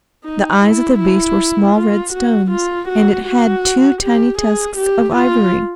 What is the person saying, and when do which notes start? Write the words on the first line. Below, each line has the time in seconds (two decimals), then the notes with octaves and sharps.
The eyes of the beast were small red stones, and it had two tiny tusks of ivory.
0.25 D#4
0.63 E4
1.00 E4
1.75 F4
2.13 F#4
2.51 F4
2.89 F#4
3.27 F#4
4.02 G4
4.39 G#4
4.77 G4
5.15 F4